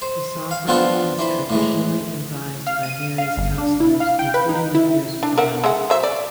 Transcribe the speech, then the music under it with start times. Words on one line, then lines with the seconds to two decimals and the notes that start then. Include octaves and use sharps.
The Sovereign is traditionally advised by various counsellors, including the peers of the realm.
0.02 C5
0.51 F5
0.68 D3 F3 B3 C4 F4 A4
1.19 E3 C5 B5
1.50 A2 E3 G#3
2.67 F5
2.83 D#7
3.18 F5
3.37 G1
3.58 D4
3.80 E4
4.00 F5
4.19 G5
4.34 B4
4.49 D#4
4.75 E4
5.23 D4
5.38 A#4 E5 F#5
5.64 G#3 E5 F#5
5.90 F#3 C5 E5
6.03 D5